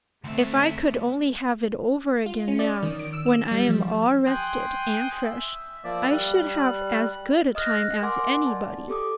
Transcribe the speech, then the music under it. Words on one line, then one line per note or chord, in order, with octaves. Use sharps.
If I could only have it over again now when I am all rested and fresh, I should have as good a time as anybody.
D2 A3 C4 E5
F4
C#4
D5
D#3
D7
E6
E7
G3
F3
G5 G#5 C6 D#6 F#6 G6
E5
F3 A#3 D5 E5
G3 F#6
D#5 D#6 F6 F#6 A#6
A#4 F#5 G#5 C6 D6
D5 A5
G4 A4 D6 D#6